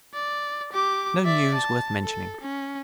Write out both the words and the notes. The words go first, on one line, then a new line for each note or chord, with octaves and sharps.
No news worth mentioning.
D5
G4 D6
D5 E5
A5
A4
C#4